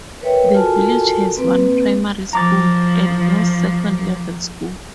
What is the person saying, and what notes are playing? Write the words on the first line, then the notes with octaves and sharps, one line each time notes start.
The village has one primary school, and no second level school.
A#4 B4 C#5 E5 G5
F4 F#4 A4 A#4 G#5 A5
A#3 C4 B4
F3 A#5 D6 A6